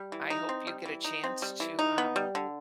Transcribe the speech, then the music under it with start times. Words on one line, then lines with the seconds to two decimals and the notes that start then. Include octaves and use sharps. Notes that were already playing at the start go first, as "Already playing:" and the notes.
I hope you get a chance to um
Already playing: G3
0.12 E3
0.30 D#4
0.49 C4
0.67 G3
0.85 E3
1.04 D#4
1.24 C4
1.42 G3
1.60 E3
1.79 D#4
1.98 B3
2.16 G3
2.35 D3